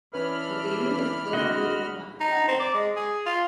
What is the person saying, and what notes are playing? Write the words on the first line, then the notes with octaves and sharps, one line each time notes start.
The area was first used for market gardens.
E3 C#4 D4 B4 B5 F6
D3 A3 C4 F#4 D#5
D#4
C4
D5
G#3
G#4
F4